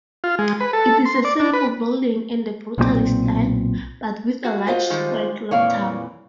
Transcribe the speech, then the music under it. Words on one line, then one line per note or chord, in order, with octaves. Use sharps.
It is a simple building in the brutalist style, with a large square clocktower.
F4
G#3
B4
A4
C6
D5
D4
B4
B1 A#2 E3 C4
F#4 G#4
F4 C5 D#5
D#3 G3 G#3
F2 A#2 E3 C#5 D5 F5